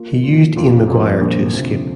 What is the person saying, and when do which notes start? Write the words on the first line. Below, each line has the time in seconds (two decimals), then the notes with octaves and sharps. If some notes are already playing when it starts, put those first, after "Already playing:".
He used Ian McGuire to escape.
Already playing: A#3 F4
0.23 A#2 F3 D4 F4
0.56 F1 F2 F3 A#3 F4
0.88 F2 F3 A#3 F4
1.19 A#1 A#2 G3 A#3
1.52 D2 C3 F3